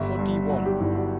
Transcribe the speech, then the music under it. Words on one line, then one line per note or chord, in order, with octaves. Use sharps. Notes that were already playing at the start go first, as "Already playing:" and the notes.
What do you want?
Already playing: G1 E5
G2
F#3 F#5
G4
G1 E4
F#4